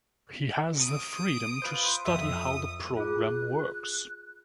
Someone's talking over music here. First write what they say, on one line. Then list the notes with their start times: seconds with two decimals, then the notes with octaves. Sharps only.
He has the freedom to study how the program works.
0.79 D#6 D7
1.62 F4 B4 C5
2.05 F2 E5 D#6
2.97 F4 G#4 F#6